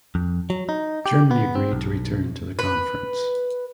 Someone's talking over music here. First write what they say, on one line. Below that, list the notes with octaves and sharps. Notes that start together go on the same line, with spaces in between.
Germany agreed to return to the conference.
F2
F#3
D#4
G4
B3
C4
B1
B4